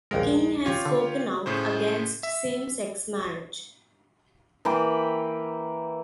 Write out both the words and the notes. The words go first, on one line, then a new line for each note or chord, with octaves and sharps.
King has spoken out against same-sex marriage.
A#1 D#2 G#3 A#4
F4 G4 C#5
D3
A2 C#3 C5
E5
E3 A#3 G5 B5